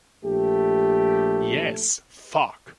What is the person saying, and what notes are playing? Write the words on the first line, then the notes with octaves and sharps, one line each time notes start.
Yes, fuck!
A#1 A3 G4